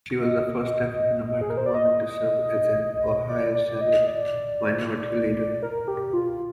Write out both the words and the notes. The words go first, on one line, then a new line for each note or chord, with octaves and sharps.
She was the first African-American woman to serve as Ohio Senate minority leader.
D#5
G#4
A#4
C5
D5
D#5
D5
D5
D#5
D5
A#4
G4
F4